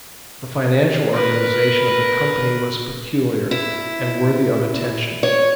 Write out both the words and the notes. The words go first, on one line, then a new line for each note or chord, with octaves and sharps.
The financial organization of the company was peculiar and worthy of attention.
A#4 B4
E4
C#5